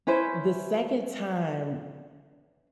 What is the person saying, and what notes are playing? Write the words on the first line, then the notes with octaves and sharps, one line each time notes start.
the second time
C#4 E4 B4 C5